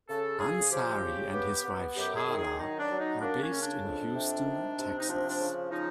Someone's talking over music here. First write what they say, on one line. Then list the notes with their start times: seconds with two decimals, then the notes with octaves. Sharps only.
Ansary and his wife Shahla are based in Houston, Texas.
0.09 C#3 A4
0.40 C#3 G#4
0.71 F3 G4
1.03 C#3
1.33 B3
1.65 B3
1.97 F#2 G4
2.16 G#4
2.28 D#3
2.38 G#4
2.59 F#3 D#4
2.79 D4
2.90 F#3
3.00 D#4
3.21 A#3 D4
3.42 C#4
3.52 C#3
3.62 D4
3.83 F2
4.15 C3
4.45 D#3
4.77 C3
4.99 D#4
5.08 F3 D4
5.30 D4
5.40 C#3
5.70 F3 D#4